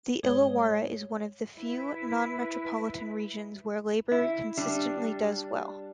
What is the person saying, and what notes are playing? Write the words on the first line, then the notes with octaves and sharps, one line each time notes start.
The Illawarra is one of the few non-metropolitan regions where Labor consistently does well.
G#2 G#3 C#5 G7
E4 B4
E4
G3 D4